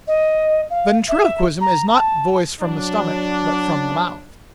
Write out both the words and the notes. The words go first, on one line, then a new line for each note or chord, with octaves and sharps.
Ventriloquism is not voice from the stomach, but from the mouth.
D#5
F5
E5
A#5
A5
F#3 D4